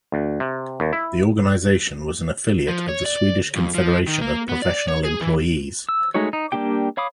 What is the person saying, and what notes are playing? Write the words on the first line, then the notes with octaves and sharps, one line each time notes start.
The organization was an affiliate of the Swedish Confederation of Professional Employees.
D2
C3
D#2
E4
F3
C#5
D5
F2
F3
D#3
A#3
B3
D5
C#5
G#4
E3
E6
G#3 A3 D#4 F#4 C#5
D#4
G3 A#3 D4 G4 G5
C#5 F5 B5 D6 D#6